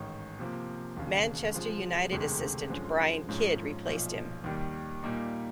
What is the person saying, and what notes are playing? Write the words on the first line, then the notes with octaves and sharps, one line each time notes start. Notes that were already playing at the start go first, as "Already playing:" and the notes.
Manchester United assistant Brian Kidd replaced him.
Already playing: A1 G#2 D#3
C3 F3 A#3
E1 D#2 C#3
C3 F3 G#3
E1 D2 C3 D#3 G#3
F#2 D3 F3 G#3 C4
G#2 F3 G#3 C#4
B1 A#2 F3
D#2 D#3 G3
A#2 G3 A#3 D#4